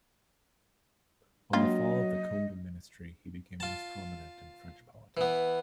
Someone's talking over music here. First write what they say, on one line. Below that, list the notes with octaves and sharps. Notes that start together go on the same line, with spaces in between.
On the fall of the Combes ministry he became less prominent in French politics.
F#3 A#3 D4 F4 D#5
F4 A5
E3 B3